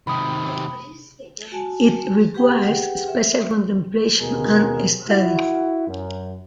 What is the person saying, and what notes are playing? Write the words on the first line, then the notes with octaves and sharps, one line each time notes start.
It requires special contemplation and study.
D#2 C3 B5 D#6
F#4 G#5 A5
G4 G#4 B4 F#5 G5
E5
D#2 B2 G#4 A#4
E4 F#4
F#2